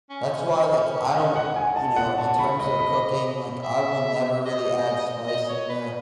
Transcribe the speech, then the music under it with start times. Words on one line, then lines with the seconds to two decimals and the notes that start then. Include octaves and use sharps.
that's why like, I don't, you know, in terms of cooking, like, I will never really add spice in the
0.10 C#4
0.32 C#4
1.15 D#5
1.35 F#5
1.56 G#5
1.76 A5
1.96 E4 F#5
2.18 F#4 A5
2.38 F#4 B5
2.59 D#5 B5
2.79 B5
3.63 E5
4.46 D#5
5.28 D#5
5.49 C#5
5.70 B4